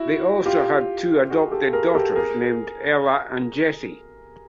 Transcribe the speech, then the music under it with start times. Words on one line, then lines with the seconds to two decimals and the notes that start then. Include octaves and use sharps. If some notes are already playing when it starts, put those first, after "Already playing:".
They also had two adopted daughters named Ella and Jessie.
Already playing: E4 F#4
0.46 F4 G4
1.30 F#4 G#4
1.51 G4 A4
1.73 G#4 A#4
1.94 G4 A4
2.16 G#4 A#4